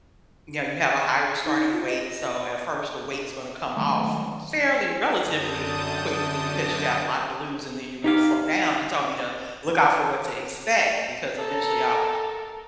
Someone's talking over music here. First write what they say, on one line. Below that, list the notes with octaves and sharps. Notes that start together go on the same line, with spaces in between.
you know, you have a higher starting weight, so, at first, the weight's gonna come off fairly relatively quickly because you have a lot to lose, and then you're gonna slow down." He told me to look out for what to expect because, eventually, I'll
D#4
F4
D#5
D#3 F#3 G#3 A3
F#2 D3 A5 D#6 G6
D#4 G4 F5
A4 A#4